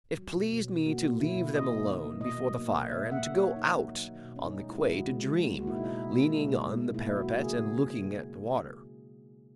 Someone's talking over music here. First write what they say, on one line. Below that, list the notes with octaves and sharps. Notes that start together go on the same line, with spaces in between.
It pleased me to leave them alone before the fire and to go out on the quay to dream, leaning on the parapet and looking at the water.
F#3
B2
B2
B2
A#3 F#4
A#3
B2 E4
B2
D#3 D#5
A#3
D#3
A#3
B2 D#5
F#3
A#3
B2
A#3 E5
B2 E5
F#5
A#3
C#5
A#3
D#3 D#4
F#3
F#3
D#3
B2
B2 C#4
D#4
G#3
E4
G#3
C#3 F#4
G#3
G#3
G#3
A#3 F#4
E4
B2 D#4
E4
B2
A#3
G#3 D#4
B2
G#3
B2
A#3 E4
F#3
F#4
A#3
G#4
C#3